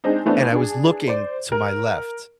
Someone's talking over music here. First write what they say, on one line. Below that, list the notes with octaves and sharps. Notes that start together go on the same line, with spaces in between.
and I was looking to my left
G#3 C4 D4 D#4
E3 A3 B3 C4 D4
D4 G#4
C5 D5
A#4